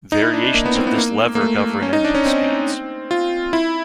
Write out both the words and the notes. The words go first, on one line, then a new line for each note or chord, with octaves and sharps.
Variations of this lever govern engine speeds.
D#4
E4
D4
D4
A#3
B3
C4
B3
A#3
A#3
A3
C#4
D#4
D4
C#4
C4
F4
E4